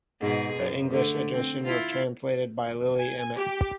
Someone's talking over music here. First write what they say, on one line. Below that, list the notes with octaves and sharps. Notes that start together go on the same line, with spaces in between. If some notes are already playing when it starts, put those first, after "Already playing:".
The English edition was translated by Lily Emmet.
G#2 B2 G#4
F#2
D3 A3
C4
E4 F4
G#5
G4